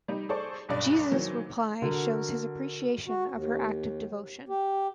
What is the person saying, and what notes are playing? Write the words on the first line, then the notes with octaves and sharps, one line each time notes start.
Jesus' reply shows his appreciation of her act of devotion.
G3 D#4
G#4 A4 C5 D5 C#6
B1 G2 D5
D#3 E3 F#3 C5
D3 F#4 A#4
F#4
D#2
G4